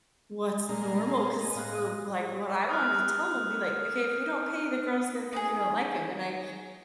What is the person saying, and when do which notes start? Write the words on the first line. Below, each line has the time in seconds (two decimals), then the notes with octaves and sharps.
what's normal 'cause for, like what I wanted to tell 'em be, like, "Okay, if you don't pay the girls gonna think you don't like 'em." And I
0.69 A#2 G#3 A#3 D4 D#5
1.14 G#4 C6
1.41 G#3 C4 D#5 G#5
1.55 A2 F5 F#6
2.69 D#6 F6 F#6
5.33 D#4 G4 G#4